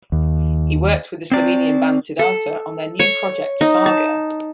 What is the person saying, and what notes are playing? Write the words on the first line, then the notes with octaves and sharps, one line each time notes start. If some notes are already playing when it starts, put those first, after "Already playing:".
He worked with the Slovenian band Siddharta on their new project Saga.
D#2
C4 D5
A4
C#5
D#4
A5